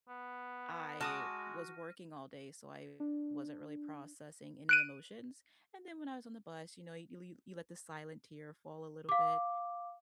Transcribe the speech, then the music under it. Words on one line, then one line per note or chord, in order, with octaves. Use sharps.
I was working all day, so I wasn't really processing any emotions. And then when I was on the bus, you know, you le you let the silent tear fall a little bit,
B3
G#3 F#4 A5 D6 D#6 F6 A#6 D#7
D4
F#6 D7 D#7
F5 D6